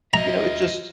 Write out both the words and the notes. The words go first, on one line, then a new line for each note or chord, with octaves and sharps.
you know, it just
F#4 D#5 E5 A#5